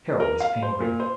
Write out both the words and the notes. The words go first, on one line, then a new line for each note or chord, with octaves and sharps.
Carol was angry.
A#4
F5
C5
A#2
C5